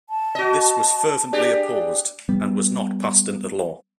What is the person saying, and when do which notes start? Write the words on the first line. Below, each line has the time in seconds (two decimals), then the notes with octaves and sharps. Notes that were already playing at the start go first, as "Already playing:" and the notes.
This was fervently opposed, and was not passed into law.
0.10 A5
0.35 F#4 D#5
1.33 D4 G4 G#4
2.29 G3 B3